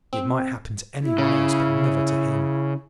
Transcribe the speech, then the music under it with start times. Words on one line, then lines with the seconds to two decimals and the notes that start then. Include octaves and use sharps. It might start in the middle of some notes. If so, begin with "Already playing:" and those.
It might happen to any one else, but never to him!
0.13 C4
1.03 E4
1.18 C#3